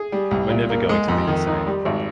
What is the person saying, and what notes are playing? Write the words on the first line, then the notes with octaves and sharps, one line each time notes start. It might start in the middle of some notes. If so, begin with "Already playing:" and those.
We’re never going to be the same.
Already playing: G#4
G3
C2
A#2
A#3
G#3
F2
D#3
D#4
G3
G#1